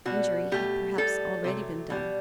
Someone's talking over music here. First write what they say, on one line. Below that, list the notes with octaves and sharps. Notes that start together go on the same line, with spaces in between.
Injury had perhaps already been done.
B2 G3 F#4
B2 A3 G4
A2 G3 A4
C3 F#3 A3
B2 G3